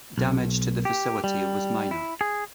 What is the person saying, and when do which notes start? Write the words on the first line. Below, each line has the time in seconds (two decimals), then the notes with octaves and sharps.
Damage to the facility was minor.
0.18 B1
0.85 G4
1.24 G3
1.91 E4
2.21 G#4